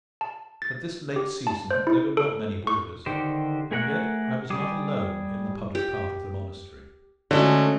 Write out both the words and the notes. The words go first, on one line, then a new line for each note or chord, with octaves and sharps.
At this late season there were not many boarders; and yet I was not alone in the public part of the monastery.
A5
A6
G4
A5
C5
E4
A4
C#6
D3 D#3 G4 C5
A3 G#4 A#4 F#5 F#6
G3 G#4 D6
G4
D3 G#3 A3 C#4 F#4